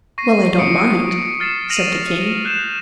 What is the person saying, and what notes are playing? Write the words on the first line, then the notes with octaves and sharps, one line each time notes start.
"Well, I don't mind," said the king.
C#6 A#6 C7 D#7
D#6 C#7 D7
F6 A6 C7 E7
F6 A#6 D#7 F7 F#7
F#6 G6 C7 E7 F7